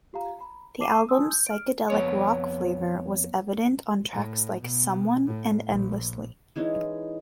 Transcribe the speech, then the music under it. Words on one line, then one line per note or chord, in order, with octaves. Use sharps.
The album's psychedelic rock flavour was evident on tracks like "Someone" and "Endlessly".
F4 G4 F5 A#5
A#5 B5
A5 C#6 D6 C7 D#7 E7
G#5 A5 C6 D#6 E6
G6
F6 D7
F2 B3 C#5
A2
B2
A2
A#1
E3 G#3 C#4 D#4